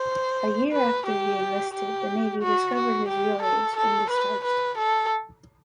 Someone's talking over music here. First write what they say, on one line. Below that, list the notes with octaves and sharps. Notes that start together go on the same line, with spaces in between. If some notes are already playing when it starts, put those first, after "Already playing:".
A year after he enlisted, the Navy discovered his real age and discharged him.
Already playing: C5
B4
G4
G4
F#4
F#4
G4
A4
A4
B4
B4
A4